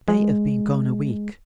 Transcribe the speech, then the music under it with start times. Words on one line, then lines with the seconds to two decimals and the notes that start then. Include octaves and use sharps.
'They have been gone a week.
0.08 G#3